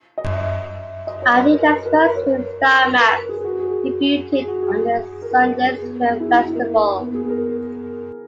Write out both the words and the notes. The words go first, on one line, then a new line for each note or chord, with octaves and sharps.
Arteta's first film, "Star Maps", debuted at the Sundance Film Festival.
D#5
E5
D#5
C#5
B4
A#4
A#4
B4
A#4
B4
C#5
B4
B4
A#4
G#4
F#4
G#4
G#4
F#4
G#4
A#4
B4
A#4
A#4
G#4
B3
G#4
E4
D#4
E4
A#3
B3
G#4
A#4